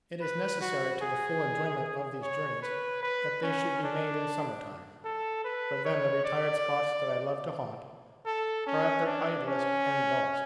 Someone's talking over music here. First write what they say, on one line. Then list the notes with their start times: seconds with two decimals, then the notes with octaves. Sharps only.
It is necessary to the full enjoyment of these journeys that they should be made in summer-time, for then the retired spots that I love to haunt, are at their idlest and dullest.
0.21 B4
0.61 F#4
1.01 G#4
2.22 C#5
2.62 B4
3.03 B4
3.43 C#4
3.84 D4
5.04 A4
5.44 B4
5.85 C#5
6.24 D5
8.26 A4
8.66 C#4
9.07 D4
9.47 C#4